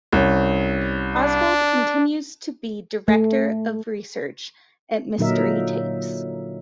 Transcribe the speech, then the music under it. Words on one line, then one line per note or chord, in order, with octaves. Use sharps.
Oswald continues to be Director of Research at Mystery Tapes.
C2 C#4
D4
A3
A#2 D3 F#3 D#4 A#4 E5